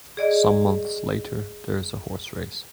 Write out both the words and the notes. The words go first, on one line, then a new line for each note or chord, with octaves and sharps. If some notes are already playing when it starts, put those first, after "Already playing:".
Some months later, there is a horse race.
G#4 D5 D#5